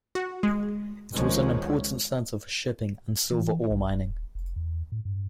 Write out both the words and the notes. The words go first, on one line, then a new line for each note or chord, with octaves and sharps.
It was an important center for shipping and silver ore mining.
F#4
G#3
C#2 D#3 F3 G#3 C#4
E3
A1
D#1
D#1
F1
E2
A2
G2